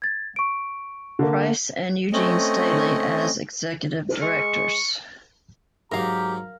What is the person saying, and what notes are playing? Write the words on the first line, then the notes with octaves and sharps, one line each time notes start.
Price and Eugene Staley as Executive Directors.
G#6 A6
C#6 D7
D3 A#3
A3 C4 C#4 D#5
G#3 C#6
G#2 F#3 G4 A#4 F5 A#5